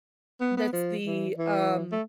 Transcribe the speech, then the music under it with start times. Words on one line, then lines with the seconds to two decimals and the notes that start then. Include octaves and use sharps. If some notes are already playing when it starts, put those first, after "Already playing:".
that's the, um,
0.41 B3
0.57 B3
0.73 F3
1.06 E3
1.38 E3
1.92 A3